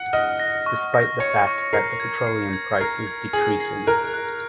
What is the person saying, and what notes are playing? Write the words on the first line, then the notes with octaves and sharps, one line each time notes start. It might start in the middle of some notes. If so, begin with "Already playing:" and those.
Despite the fact that the petroleum price is decreasing.
Already playing: F#5
D#5 F6
A#6
C#6
A#6
C#5 C#7
C#6
A#4 C7
G#6
C7
G#6
A#4 C7
G#6
G#4 C7
C7
A#4 F#6
F#6